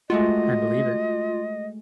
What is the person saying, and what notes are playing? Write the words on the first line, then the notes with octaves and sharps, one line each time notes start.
I believe it.
G#3 A3 F4 F#4 D#5